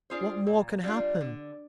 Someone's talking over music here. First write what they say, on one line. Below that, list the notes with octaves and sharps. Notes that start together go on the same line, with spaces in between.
What more can happen?
D4 F4 G#4 C5
A#2
G3 D4 F4
D3